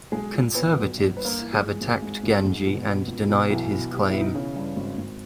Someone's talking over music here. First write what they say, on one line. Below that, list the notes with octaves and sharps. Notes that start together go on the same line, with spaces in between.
Conservatives have attacked Ganji and denied his claim.
B1 G#3 G#4
A#2
A#2 B3 B4
B1
G1
G1 B4
A#3 A#4
E3
G#3 G#4
G1
G#1
G#2
G#1
G#2
B2
B2
C#2
B2
B1 E3 E4
B2
B1 G4
E4
B2
D#4
C#3 E3 C#4
G2
G#1
G#1